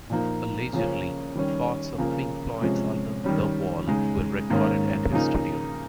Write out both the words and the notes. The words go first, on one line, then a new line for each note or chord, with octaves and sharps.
Allegedly, parts of Pink Floyd's album "The Wall" were recorded at his studio.
A#2 F3 A#3 D#4
C#3 F3 A#3 C#4
D#3 G3 C#4
C#3 F3 A#3
C3 F3 G#3 C#4
D#3 G3 C#4
C#3 G#3 D#4
G#2 D#3 A#3 C#4
C#3 F3 A#3 D#4